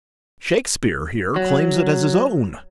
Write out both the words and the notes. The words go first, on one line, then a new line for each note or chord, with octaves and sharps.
"Shakespeare here claims it as his own."
F#3